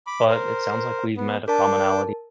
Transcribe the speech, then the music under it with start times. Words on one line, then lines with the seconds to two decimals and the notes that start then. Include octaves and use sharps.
but it sounds like we've met a commonality.
0.07 B5 D6
0.28 A#4 C5
1.17 B3
1.48 D4 A#4 A5 D6 G6